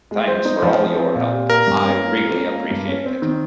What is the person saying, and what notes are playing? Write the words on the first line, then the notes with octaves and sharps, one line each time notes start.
Thanks for all your help. I really appreciate it.
G#3
C5
D#4
F3
G#4
C4
A#2
G4
A#3 A#4
G2
C#4
A#3
G#2
C#4
A#3
G2
C#4
C4
D#3